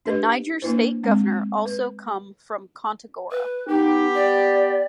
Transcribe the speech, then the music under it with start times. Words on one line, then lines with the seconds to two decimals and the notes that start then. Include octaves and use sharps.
The Niger state governor also come from Kontagora.
0.06 D4 G4 B4 D#5
0.62 A#3 D4 E4 B4 C5
1.03 G#3 C4 D4
1.65 B4
3.31 B4
3.68 B3 D#4 G4
4.15 D5